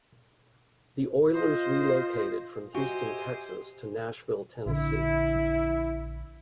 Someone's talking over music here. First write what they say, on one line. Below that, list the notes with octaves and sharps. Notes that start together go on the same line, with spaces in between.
The Oilers relocated from Houston, Texas to Nashville, Tennessee.
F4 C5 D#5
F#4 G4 C5 D#5 E5 G#5 C6
A#1 D3 E4